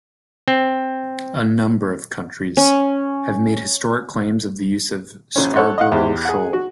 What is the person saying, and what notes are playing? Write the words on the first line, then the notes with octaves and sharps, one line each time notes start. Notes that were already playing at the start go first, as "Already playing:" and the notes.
A number of countries have made historic claims of the use of Scarborough shoal.
C4
C#4
A#1 C#4
A4 C#5 F#5
D#5 F5 F#5
E2 G4
G#4 F#5
F#4